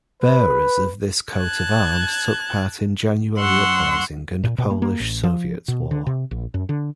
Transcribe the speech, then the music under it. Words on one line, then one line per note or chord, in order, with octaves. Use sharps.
Bearers of this Coat of Arms took part in January Uprising and Polish-Soviet War.
B4
A5 F#6 G#6
F#2 F#5 C6 C#6 E6
A#2
B2
A#3
A#3
A1
F3
B2
D3
C3
A#1
F#2
D3